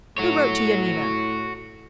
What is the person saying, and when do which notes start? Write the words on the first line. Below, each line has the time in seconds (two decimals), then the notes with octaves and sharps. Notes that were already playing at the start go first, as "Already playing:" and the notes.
"Who wrote to Yanina?"
0.18 A2 F#4 C#5